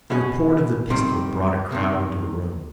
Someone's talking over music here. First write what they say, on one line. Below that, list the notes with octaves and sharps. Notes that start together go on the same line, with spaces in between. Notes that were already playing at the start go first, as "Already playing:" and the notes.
The report of the pistol brought a crowd into the room.
B2 G#3 C#4
D2 C3 D#3 G3 C4
C2 C3 D#3